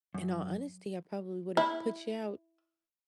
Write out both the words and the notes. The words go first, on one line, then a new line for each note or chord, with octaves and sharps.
in all honesty, I probably would have put you out
F#2
E4